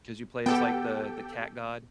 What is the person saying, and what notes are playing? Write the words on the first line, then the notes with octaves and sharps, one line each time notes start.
'cause you play as, like, the the cat god.
B3 G4 A4 G5